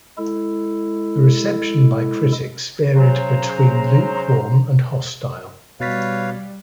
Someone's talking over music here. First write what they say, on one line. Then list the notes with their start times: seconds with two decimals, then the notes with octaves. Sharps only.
The reception by critics varied between lukewarm and hostile.
0.18 G#3 E4 A4
2.96 C#3 F#3 C5 A#5
5.80 B2 G3 B4 C#5 F5 A6 B6